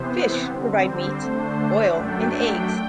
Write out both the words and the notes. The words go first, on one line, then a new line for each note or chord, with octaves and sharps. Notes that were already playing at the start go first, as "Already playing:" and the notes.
Fish provide meat, oil, and eggs.
Already playing: C3 E3 B3 C5
D3 G3 C4
C5
D3 A3 D4
F#2 F#3 A3 D4 G5